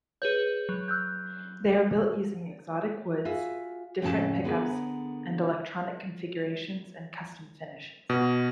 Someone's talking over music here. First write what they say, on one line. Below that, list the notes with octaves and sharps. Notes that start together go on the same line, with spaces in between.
They are built using 'exotic' woods, different pickups and electronic configurations and custom finishes.
G#4 B4 C#5 G6
F#3
E6 F#6 G6
F4 F#4 G#4 E5
F2 A2 C#3 C#4 E4 A5
D3 B3 G#4 A#4
B2